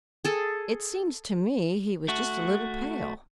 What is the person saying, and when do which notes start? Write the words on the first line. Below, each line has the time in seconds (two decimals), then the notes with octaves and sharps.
"It seemed to me he was just a little pale."
0.25 G#4 A4
2.08 A3 F#4